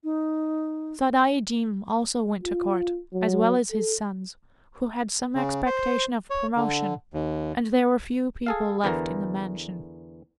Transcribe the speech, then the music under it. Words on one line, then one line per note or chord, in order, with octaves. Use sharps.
Sadaijin also went to Court, as well as his sons, who had some expectation of promotion, and there were few people left in the mansion.
D#4
F4
F#3
A4
C#3
C5
C#5
D3
D#2
G#4 A4 F5
E2 D3 E3 A#4